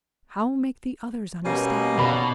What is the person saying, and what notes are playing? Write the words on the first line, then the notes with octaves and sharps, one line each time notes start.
How make the others understand it?
B2 G3 A#3 C#4
B2 D#4 D5 B5